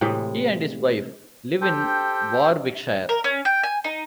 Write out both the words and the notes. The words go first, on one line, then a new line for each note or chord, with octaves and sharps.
He and his wife live in Warwickshire.
A2 C3 E3 G#3
G4 A4 C5 G5
A#4
C#4
G5
G#5
D#4